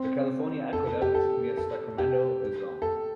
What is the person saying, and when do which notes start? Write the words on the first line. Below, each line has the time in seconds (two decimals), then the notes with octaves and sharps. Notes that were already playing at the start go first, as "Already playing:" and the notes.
The California Aqueduct, near Sacramento, is long.
Already playing: C4
0.73 A4
0.87 A4
1.02 G4
1.15 A4
1.57 A4
1.98 G4
2.82 A4